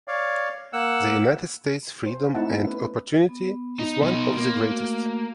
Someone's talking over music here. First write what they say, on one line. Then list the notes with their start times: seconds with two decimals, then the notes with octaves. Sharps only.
The United States freedom and opportunity is one of the greatest.
0.08 C#5 D5 F5
0.73 A#3 F#5 E6
2.06 C5
2.34 A3 C4 D#4 E4 F#5 A5
2.50 B3
2.65 C#4 B4
3.29 B3
3.79 D#4
4.03 B2 B3 D#4 C6
4.37 A#3
4.71 A3 F#4